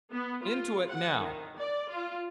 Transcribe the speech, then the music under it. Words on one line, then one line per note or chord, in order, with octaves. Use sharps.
Into it, now!
B3
F4
F#5
D#3
D5
F4